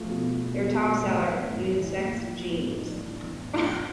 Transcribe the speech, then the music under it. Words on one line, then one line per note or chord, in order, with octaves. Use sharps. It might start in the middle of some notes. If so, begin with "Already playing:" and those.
Their top seller: unisex jeans.
Already playing: F3 A3
B2
B2
B2
B2 G3
B2 G#3
B2 A3
A2 A3
E3
E3
A2
A2
E3
A2 A#3
F3
F3
A2 B3
A2 C4
F3 D#4
A2 D4
E3
E3
A2
A2
E3